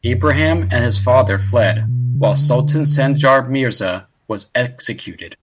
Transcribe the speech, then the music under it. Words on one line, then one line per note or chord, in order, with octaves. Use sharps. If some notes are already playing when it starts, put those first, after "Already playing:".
Ibrahim and his father fled, while Sultan Sanjar Mirza was executed.
F#2
G2
A2
B2
C#3
D3